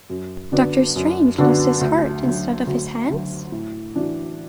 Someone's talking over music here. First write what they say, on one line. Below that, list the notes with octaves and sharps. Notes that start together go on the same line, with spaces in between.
Doctor Strange Lost His Heart Instead of His Hands?
F#2
D3 B3 D4 F#4
F#2
D3 B3 D4 F#4
D2
D3 F#3
D2
D3 F#3
A2
E3 D4 F#4